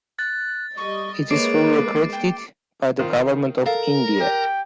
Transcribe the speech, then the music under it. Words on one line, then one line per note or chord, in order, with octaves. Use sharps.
It is fully accredited by the Government of India.
F#6 A6
G3 D#5 C#6
G#3 A#3 B4 C#5 D6 C7 D7
G5
D#3 C4 F4
A4 A#4 F5
G4 G5